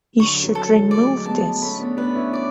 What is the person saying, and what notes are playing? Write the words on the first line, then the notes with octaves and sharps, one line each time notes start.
You should remove this.
D3 F#3 C#6
D3 F#3
A4
A3 D5
G#3
F#3 A3
G#3 B3 A5
A3 C#4 B5
B3 D4
B3 D4 B4
C#4 E4
D5